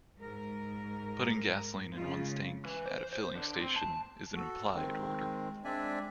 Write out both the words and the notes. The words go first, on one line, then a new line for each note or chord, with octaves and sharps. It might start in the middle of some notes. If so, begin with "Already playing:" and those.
Putting gasoline in one's tank at a filling station is an implied order.
G#2 A#4
C#3 G#3 F4
E3
C5
C5
D3
C4
A5
F#4 A4
D#3 G#3 C4
G#3 C4 D4 D5 E5 G#5